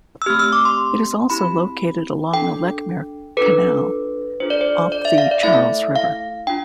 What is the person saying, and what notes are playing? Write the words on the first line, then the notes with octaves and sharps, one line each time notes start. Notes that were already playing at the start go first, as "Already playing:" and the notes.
It is also located along the Lechmere Canal off the Charles River.
E6
A3 C4 G4 F6
E6
D6
C6
C4 E4 G4 B5
D4 A4 G5
D4 F4 A4 B4
D4 F4 A4 C5
D5
C5
D5
E5
F5
D5
A3 E4 A4 E5
F5
D4 F4 G5